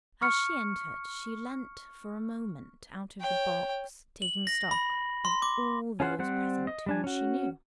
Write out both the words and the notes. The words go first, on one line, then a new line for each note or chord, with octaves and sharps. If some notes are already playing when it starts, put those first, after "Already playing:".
As she entered, she leant for a moment out of the box, taking stock of all those present whom she knew.
C#6 F6 C#7
C#5 G5
F#7
A#6
B5
C6
D6
C#4 F4 G#4 C5 F#5
G3 C4 C5 F#5
D#5
G3 D4 G#5
C#4 F#4